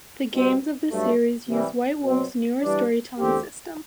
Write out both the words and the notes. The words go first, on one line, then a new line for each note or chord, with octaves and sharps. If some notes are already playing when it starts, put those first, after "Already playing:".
The games of this series use White Wolf's newer Storytelling System.
B2 G3 C4
G2 F#3 A3
C3 E3 G3
B2 F#3 C4
E3 G3 D4
E2 D3 A3 C4 G4